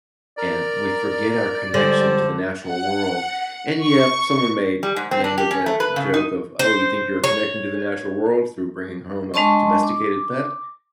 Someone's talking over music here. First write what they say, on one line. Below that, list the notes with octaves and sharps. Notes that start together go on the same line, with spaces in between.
and we forget our connection to the natural world. And, yep, someone may may make a joke of, "Oh, you think you're connecting to the natural world through bringing home a domesticated pet?"
A#4 D5 A#5
D3 G3 G#3 C5
F#5
C#6
G3
G#2
C4
D4
G4
C#4
A3
B4
C#3
D#4
C5
C#5
G#3 D4 D#5 A5 C6 C#6
D6